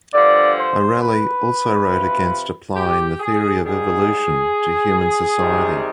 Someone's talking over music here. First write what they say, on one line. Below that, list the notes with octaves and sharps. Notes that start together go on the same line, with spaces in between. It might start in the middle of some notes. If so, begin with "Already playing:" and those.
O'Rahilly also wrote against applying the theory of evolution to human society.
G2 D3 F3 D5
C5
B4
C3 F3
G4
G#4
G#2 G3 G#4
C3 D#3 G3